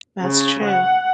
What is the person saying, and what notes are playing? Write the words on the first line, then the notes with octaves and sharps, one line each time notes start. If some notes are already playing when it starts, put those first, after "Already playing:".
That's true.
C#3
F#5